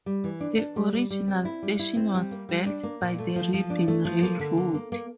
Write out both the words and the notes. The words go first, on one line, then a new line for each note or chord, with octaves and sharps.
The original station was built by the Reading Railroad.
G3
E3
D4
D4
G3
G3
G3
C4
E4
G3
E4
C4
G3
A#3
G3
D4
A#3
A#2
A3
F3
F3
D4
A3
F3
A#3
D3
A#3
A#3
A#3